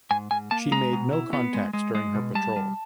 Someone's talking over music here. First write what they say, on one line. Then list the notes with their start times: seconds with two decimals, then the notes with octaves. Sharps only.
She made no contacts during her patrol.
0.11 G#2 G#5
0.31 G#2 G#5
0.51 A#3 A5
0.72 G#3 A#5
0.93 B2
1.13 E4
1.33 B3
1.54 G#3
1.73 G#3
1.95 G#3
2.15 B2
2.35 G3 A5
2.56 G3